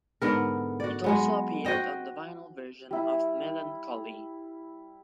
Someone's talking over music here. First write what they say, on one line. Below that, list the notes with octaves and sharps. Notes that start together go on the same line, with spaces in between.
It also appeared on the vinyl version of "Mellon Collie".
G#2 D3 B3 A#4
F#4 D5
F#3 G#3 B3
F#4 C5 D#5 G5
G3 E4